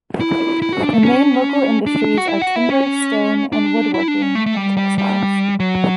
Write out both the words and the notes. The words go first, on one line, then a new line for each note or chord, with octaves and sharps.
The main local industries are timber, stone- and wood-working and textiles.
E4
E4
F#4
D4
A3
C#4
D4
F#4
E4
F#4
E4
C#4
D4
E4
D4
C#4
A3
A3
G3
G3
G3
F#3